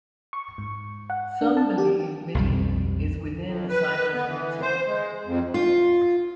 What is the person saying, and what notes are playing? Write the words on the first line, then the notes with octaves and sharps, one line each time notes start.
Some believe Midian is within the Sinai Peninsula.
C#6
G#2
F#5
D4
A5
G4
B1 F2 G3
F2
B4
B3
E3
C5
G#3
F2
F4